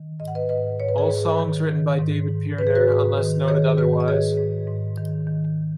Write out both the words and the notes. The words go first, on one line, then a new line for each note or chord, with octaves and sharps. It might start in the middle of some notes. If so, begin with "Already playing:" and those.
All songs written by David Pirner unless noted otherwise.
Already playing: D#3
G#2 D#5
F#5
B4 D#5
G#2 B4 D#5
G#2 C#5
B4
G#4 C#5
G#2
D#3
D#3
G#2
G#2
G#2 B4
G#4
F#4 B4
G#2
D#3
D#3 G#4 C#5
G#2 F#4 B4
D#5
G#2 G#4 C#5
G#2
G#2
D#3
D#3